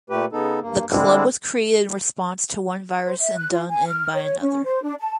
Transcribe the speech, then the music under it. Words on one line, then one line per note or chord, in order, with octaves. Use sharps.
The club was created in response to one virus and done in by another.
A#2 A3 G4 B4
C#3 B3 D#4 A4
G2 A#3
D3 G3 G#3 C4 D4 E4
C5
E5
F#6
F4
G#5
F6
C#5
C#4
C5
D4
A5